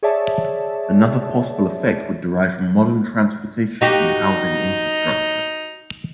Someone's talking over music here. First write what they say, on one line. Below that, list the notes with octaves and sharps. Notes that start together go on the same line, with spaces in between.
Another possible effect would derive from modern transportation and housing infrastructure.
G#4 C#5 D5 E5 A5
D#4 F#4 G4